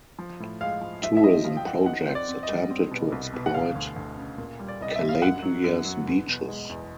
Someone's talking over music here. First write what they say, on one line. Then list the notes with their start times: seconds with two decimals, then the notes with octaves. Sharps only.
Tourism projects attempted to exploit Calabria's beaches.
0.19 F3
0.40 A2
0.61 G#3 F5
0.81 F3
1.03 F3 E5
1.17 E5
1.23 F3 D#5
1.45 F3 F5
1.57 G5
1.66 F3 F#5
1.86 D#4 F#5
2.08 C4
2.15 D5
2.28 C4
2.43 D#5
2.49 G3
2.71 C4
2.91 B2
3.12 C2
3.33 B2
3.46 F#5
3.54 D2 F5
3.75 D2
3.96 D2
4.18 C#3
4.38 A#2
4.59 G3
4.68 D5
4.81 C2 D#5
4.96 E5
5.01 G3
5.09 F5
5.22 F#2 F#5
5.42 F#3
5.64 F#2
5.85 F#3
6.06 E2
6.27 B2
6.48 G#3
6.69 E2